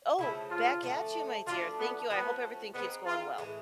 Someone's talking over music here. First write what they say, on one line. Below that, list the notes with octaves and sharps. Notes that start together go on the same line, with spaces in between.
Oh, back at you, my dear, thank you, I hope everything keeps going well.
C#3 F3 A3 E4
F4
D3 F3 A3
F3 A3 D4 F4 F#4
B3
F3 A3 B3 C#4 F#4
G#3 B3 C4 D#4
F4
A2 E3 G#3